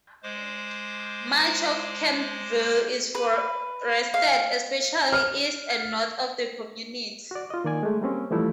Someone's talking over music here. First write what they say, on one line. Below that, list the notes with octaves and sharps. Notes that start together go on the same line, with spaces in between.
Much of Kemptville is forested, especially east and north of the community.
G#3 C5 D6
B4
F5
F6
F#4 D5
F4 D#5
D#3 A#3 D5 G#5
G#3 A3
G3 A#3 C4 C#4
E3 F3 G3 A3 E4